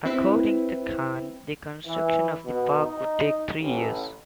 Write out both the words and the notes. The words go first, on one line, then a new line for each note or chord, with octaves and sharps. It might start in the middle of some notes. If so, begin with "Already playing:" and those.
According to Khan, the construction of the Park would take three years.
C4 E4 B4
E3
B2
D#4
A1